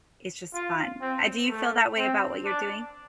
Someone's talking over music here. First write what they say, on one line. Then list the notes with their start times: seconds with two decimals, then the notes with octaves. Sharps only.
it's just fun. I Do you feel that way about what you're doing?
0.53 F4
1.01 C4
1.49 A3
1.97 C4
2.45 D4